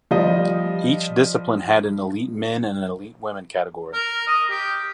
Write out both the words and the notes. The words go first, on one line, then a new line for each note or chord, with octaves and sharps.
Each discipline had an Elite Men and an Elite Women category.
F3 G3 D#5
A#4
D#5
G4